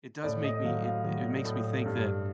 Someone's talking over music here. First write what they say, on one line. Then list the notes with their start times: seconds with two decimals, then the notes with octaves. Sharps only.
it does make me it it makes me think that
0.23 A2 D5
0.44 D#5
0.64 F#3 F5
0.84 F5
1.04 F#3
1.45 A2
1.85 G2